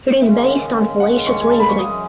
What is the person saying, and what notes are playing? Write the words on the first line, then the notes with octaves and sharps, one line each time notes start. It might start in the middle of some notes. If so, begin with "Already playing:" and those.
It is based on fallacious reasoning.
D#2 C#3 G#3 C#4 E5
D#2 C#3 G#3 C#4 F#5
C#6
G#5
A5
B5
C#6
F#2 E3 G#3 C#4 D#6